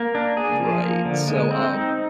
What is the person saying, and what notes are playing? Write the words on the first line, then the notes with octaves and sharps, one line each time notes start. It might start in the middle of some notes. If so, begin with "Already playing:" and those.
Right, so, um,
Already playing: A#3
D4
G#4
F3
A#3
D3
G#3
C4
D#4